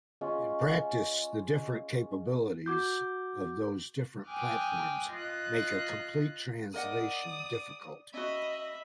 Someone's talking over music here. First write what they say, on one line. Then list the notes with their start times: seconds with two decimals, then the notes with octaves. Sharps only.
In practice, the different capabilities of those different platforms make a complete translation difficult.
0.21 G#3 C#4 F4
2.66 F#4 D6 G6
4.28 G5 G#5 D6 D#6 F6 F#6
5.10 F4 D#5 F#6
6.74 A#4 D5 D#5 F#5 D#6
8.14 C#4 F#4 D#5 E5 B5